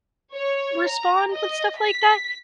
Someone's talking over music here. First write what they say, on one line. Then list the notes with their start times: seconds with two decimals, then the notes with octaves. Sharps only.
respond with stuff like that.
0.33 C#5
0.90 A#5
1.33 D#5
1.79 B6